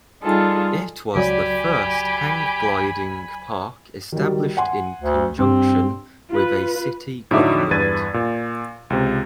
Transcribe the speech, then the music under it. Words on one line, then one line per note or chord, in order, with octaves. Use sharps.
It was the first hang gliding park established in conjunction with a city government.
G3 D#4 F4 G#4 A4
C#2 F#3 G4 D5 G#5 B5
D#3 F#3 G3
F#5 G#5 C6
D2
G2 C4
F4 B4
A2 D3 F#3 D#4 E5 D6
E2 G2 B4 G#6 A6 D#7
A#2
C#2 C3